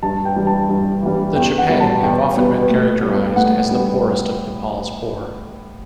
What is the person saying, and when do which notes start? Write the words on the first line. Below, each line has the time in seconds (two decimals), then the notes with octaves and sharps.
The Chepang have often been characterized as the poorest of Nepal's poor.
0.03 G2 A5
0.25 G5
0.36 E3 G3
0.47 A5
0.69 G2
1.02 E3 G3
1.36 E2 G5
1.58 F#5
1.69 B2 G3 B3
1.80 A5
2.03 E2 G5
2.36 B2 G3 B3
2.70 A2
3.03 G3 B3
3.36 A2 F#5
3.70 G3 B3